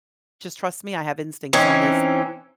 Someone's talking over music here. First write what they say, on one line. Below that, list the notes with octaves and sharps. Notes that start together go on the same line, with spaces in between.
"Just trust me. I have instincts on this
E3 C4 C#4 D#4